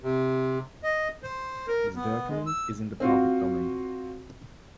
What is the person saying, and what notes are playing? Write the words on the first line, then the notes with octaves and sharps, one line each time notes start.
This document is in the public domain.
C3
D#5
C5
A#4
B3
G#3
E6
C4 F4 F#4